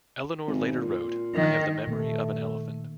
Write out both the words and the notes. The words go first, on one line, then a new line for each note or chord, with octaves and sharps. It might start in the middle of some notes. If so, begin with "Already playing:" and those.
Eleanor later wrote, I have the memory of an elephant.
G#1
A#2
D#3
A#2 D#3 A3 A#3